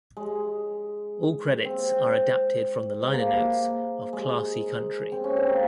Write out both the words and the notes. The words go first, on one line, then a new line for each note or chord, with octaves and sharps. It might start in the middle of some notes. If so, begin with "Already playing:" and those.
All credits are adapted from the liner notes of "Classy Country".
G#3
C4
G#3
A#3
G#3
C4
C#4
C4
A#3